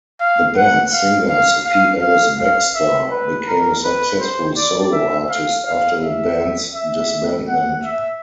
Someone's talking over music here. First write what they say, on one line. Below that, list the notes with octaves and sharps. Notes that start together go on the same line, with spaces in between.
The band's singer Sophie Ellis-Bextor became a successful solo artist after the band's disbandment.
F5
F#5
F5
F5
F5
F5
F5
E5
B4
A#4
B4
C5
D5
E5
F5
F5
E5
E5
F#5
E5